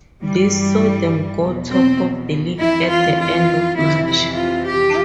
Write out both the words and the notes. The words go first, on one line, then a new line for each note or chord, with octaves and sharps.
This saw them go top of the league at the end of March.
G2 E3 G3
E2 B2
C4
F2 E3 E4
F4
F4
F2 C3 E3 E4
E4
F4
G4